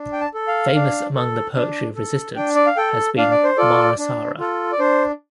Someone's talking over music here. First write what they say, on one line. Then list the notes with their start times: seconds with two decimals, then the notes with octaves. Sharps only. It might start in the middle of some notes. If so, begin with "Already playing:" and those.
Famous among the 'poetry of resistance' has been "Mahasara".
Already playing: D4
0.13 G5
0.21 A5
0.34 A4
0.48 F5
0.75 D4
1.15 A4
1.55 D4
1.96 A4
2.36 D4 G5
2.55 D5
2.66 F5
2.77 A4 G5
3.18 D4 F5
3.31 D5
3.44 C5
3.57 F4 A4 D5
3.99 D4
4.39 F4 A4
4.72 D5
4.79 D4 C5